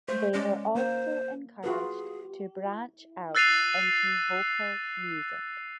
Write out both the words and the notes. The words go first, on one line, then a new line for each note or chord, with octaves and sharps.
They were also encouraged to branch out into vocal music.
A3 C5
G#3 C#4 D5
A#3 C5
F4 F#4 G#4 B4
E6 F#6 A6 C7 D#7 F7